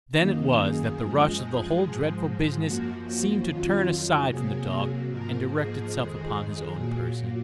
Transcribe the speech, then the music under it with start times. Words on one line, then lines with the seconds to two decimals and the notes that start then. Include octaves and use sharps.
Then it was that the rush of the whole dreadful business seemed to turn aside from the dog and direct itself upon his own person.
0.16 F#2 D#3 A#3 D#4
0.57 G#4
0.98 F#2 F3 G#3
1.80 G#2 F3 G#3
2.62 F#2 F3 A#3 F#4
3.04 F#4
3.45 F2 D#3 F#3 F4
4.27 C3 F#3 A#3 G#4
5.09 G#2 F3 A#3 A#4
5.50 G#4
5.91 F2 D#3 G#3
6.73 A#2 F#3 A#3